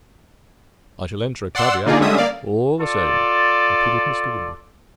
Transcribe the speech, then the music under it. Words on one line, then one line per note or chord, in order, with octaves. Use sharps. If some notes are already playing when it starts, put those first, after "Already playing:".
"I shall enter a caveat, all the same," repeated Mr. Winwood.
D5 F#5 C6 E6
D3 A#3 D#4 F4 G#4 D5
D3 G3 G#3 C#4 E5 D#6
A#3 D5 F5
F4 A4 D5